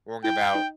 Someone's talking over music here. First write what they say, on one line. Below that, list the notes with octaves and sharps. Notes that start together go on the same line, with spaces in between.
worrying about,
E4 G5
D#4